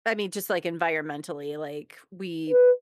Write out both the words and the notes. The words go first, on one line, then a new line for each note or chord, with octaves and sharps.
I mean, just, like, environmentally, like, we
B4